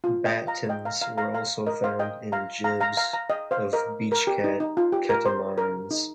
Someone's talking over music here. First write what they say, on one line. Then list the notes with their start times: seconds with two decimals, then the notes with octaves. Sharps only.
Battens are also found in jibs of beach-cat catamarans.
0.04 F4
0.26 D#5 G5
0.47 F5 A#5
0.69 D#5 G5
0.85 F5 A#5
1.02 F5 A#5
1.18 F5 A#5
1.34 F5 A#5
1.66 A#4 D#5
1.84 C5 F5
1.99 D#5 G5
2.32 F5 A#5
2.64 F5 A#5
2.80 F5 A#5
2.97 F5 A#5
3.13 F5 A#5
3.30 D#5 G5
3.51 C5 F5
3.73 A#4 D#5
4.12 A#4
4.27 G4
4.44 D#4
4.60 D#4
4.77 F4
4.92 G4
5.09 A#4
5.25 C5
5.58 A#4
5.91 D#4